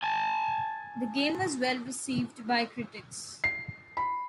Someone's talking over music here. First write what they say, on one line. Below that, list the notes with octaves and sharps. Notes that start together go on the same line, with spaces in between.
The game was well received by critics.
G#5 A5
C7
B5